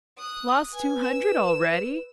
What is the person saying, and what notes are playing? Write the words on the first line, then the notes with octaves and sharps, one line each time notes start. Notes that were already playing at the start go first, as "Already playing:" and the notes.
Lost two hundred already?
D#6 F#6
B4 G#5
E6